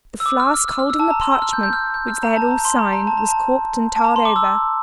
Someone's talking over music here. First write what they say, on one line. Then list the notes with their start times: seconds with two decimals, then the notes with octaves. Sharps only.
The flask holding the parchment which they had all signed was corked and tarred over.
0.20 E6
0.26 D6
0.40 F6
0.54 F6
0.68 F6
0.79 F6
0.90 E6
0.99 A5
1.11 A#5
1.21 C6
1.32 E6
1.42 F6
1.53 G6
1.63 G6
1.73 F6
1.94 G6
2.08 F6
2.23 A#5
2.36 A5
2.51 A#5
2.65 C6
2.79 A#5
2.93 A#5
3.07 A5
3.17 A#5
3.29 A5
3.96 A5
4.04 A#5
4.16 C6
4.25 D6
4.36 E6